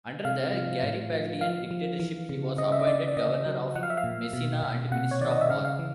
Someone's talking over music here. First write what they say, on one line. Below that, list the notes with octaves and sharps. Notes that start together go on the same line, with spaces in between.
Under the Garibaldian Dictatorship he was appointed governor of Messina and minister of war.
C3 F5
F3
A2
F3
F3 F5
F3
E3
C#3
C#3 D#5
E5
D#5
C#3 D5
D5
C#3 D#5
F#3
F3 F#5
F5
E5
F5
A#2
B2
B2
C3 F#5
C#5
D#3 D5
D#5
E5
C#3 F5
F5
E3